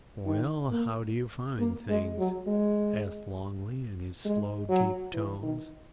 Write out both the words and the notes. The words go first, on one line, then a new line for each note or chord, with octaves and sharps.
"Well, how do you find things?" asked Longley, in his slow, deep tones.
D#3
A#3
A#3
G#3
F#3
G#3
G#3
F#3
E3
D#3